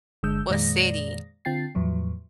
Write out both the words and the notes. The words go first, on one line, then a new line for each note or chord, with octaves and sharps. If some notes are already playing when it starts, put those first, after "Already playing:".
What city?
G1 D3 G#3 E6 G6
F2 A#2 D#3 G#3 D5 A#6
D3 C4 F4 G5 A6 C7
E2 A2 F3 F#3